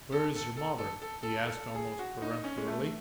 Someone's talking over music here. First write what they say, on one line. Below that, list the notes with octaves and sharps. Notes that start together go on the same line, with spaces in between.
"Where is your mother?" he asked, almost peremptorily.
A4
A4
A4
A4
A4
A4
A4
G#4
F#4
D#4
C#4
G#3
A3
A3